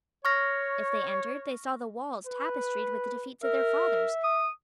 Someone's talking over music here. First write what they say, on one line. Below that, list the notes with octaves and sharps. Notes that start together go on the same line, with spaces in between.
If they entered, they saw the walls tapestried with the defeats of their fathers.
C#5 C#6 F6 A#6
B4
A#4 E5
D#6